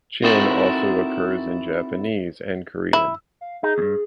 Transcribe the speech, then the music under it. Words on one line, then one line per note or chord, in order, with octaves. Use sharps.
"Jin" also occurs in Japanese and Korean.
C4 D#4 E4 F#4 A4 A#4
E4
F5
D#4 G#4
E2 G2